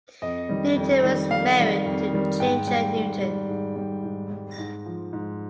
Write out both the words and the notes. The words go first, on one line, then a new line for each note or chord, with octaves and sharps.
Newton was married to Ginger Newton.
F2 D#5
D#3 G3
F2
D#3 G3
F2 F5
D#3 G3
F2
D#3 G3
G#2 G5
G3 G5
G#2
G3
G#2
G3
G#2
G3
G#2
F3
G#2